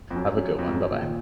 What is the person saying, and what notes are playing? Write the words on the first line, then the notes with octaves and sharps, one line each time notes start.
Have a good one. Bye-bye.
F2
F#2
F#2
F2
G#2
F#2
A#2 C#3
D#3
A#2